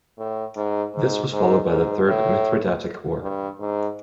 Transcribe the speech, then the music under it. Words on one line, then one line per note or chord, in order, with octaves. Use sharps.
This was followed by the Third Mithridatic War.
A2
G#2
G#2
G#2
G#2
A2
G2
G#2